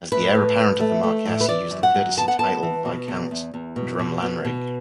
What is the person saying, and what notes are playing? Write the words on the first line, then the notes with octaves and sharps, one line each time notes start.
As the heir apparent of the Marquess, he used the courtesy title Viscount Drumlanrig.
A2 B4
A2
A2
A3
A3
A2
B4
E3 D5
F#2
F#5
F#2
B3 A5
F#5
B3 A5
E3
B2
E2
E2
E2
B2
B2
B2
B2